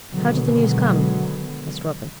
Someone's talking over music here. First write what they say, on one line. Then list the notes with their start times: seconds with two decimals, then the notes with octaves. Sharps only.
"How did the news come?" asked Robin.
0.13 B2 D3 D#3 F#3 G#3 B3